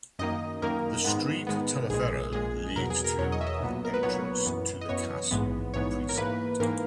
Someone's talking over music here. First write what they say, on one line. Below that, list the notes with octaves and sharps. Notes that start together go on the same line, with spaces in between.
The street "Tallaferro" leads to the entrance to the Castle precinct.
F#2 D#3 A#3 D#5
F#2 D#3 A#3 A#4
G#2 D#3 G#3 B3
G#2 D#3 G#3 B3
A#1 A#2 G#3 G#4
A#1 A#2 G#3 G#4
E2 B2 F#3 A#4
G#4
A#4
E2 B2 F#3 C#5
D#5
E5
D#5
B1 A#2 F#3 B3
A#4
B4
B1 A#2 F#3 B3 C#5
F#2 E3 B3
D#5
F#2 E3 B3 C#5
A#1 G#2 E3 G#3 B3
A#1 G#2 E3 G#3 B3 C#5
A#4
G#2 E3 A#3 B4
G#2 E3 A#3 A#4